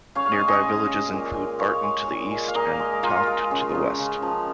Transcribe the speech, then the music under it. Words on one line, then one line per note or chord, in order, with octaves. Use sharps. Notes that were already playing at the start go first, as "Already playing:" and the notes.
Nearby villages include Barton to the east and Toft to the west.
C#3 C#5 F5
F5
D#5 G#5
G#3
D#5 G#5
C#3
C#3
A#2
G#3
G#3 C#5 F5
G#3
A#2
G#3
F5
A#2 A#4 D#5
G#3
G#3 F4 A#4
G#3
C#3
C#3
C#3
F3